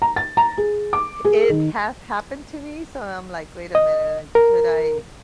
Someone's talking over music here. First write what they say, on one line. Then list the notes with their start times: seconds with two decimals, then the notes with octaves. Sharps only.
it has happened to me, so I'm, like, "Wait a minute, uh, should I
0.02 A#5
0.16 A6
0.37 A#5
0.58 G#4
0.93 D6
1.25 G#4
1.49 D#3
3.75 D#5
4.35 A#4